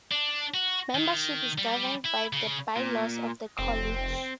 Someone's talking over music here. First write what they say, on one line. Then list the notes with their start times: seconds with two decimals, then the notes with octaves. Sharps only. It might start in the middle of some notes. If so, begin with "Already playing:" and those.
Membership is governed by the by-laws of the college.
0.11 D4
0.54 F#4
0.95 D#3
1.58 G3
2.05 E4
2.33 C#3
2.76 A#2
3.59 F1 C4